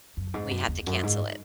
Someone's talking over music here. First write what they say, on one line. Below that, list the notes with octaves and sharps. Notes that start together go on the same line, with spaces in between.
We had to cancel it.
F#2
G#2
F#2
E2
F#2
G#2